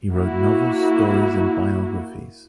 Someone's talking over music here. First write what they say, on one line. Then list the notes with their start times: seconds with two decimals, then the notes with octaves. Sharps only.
He wrote novels, stories and biographies.
0.13 A#3 E4 F#4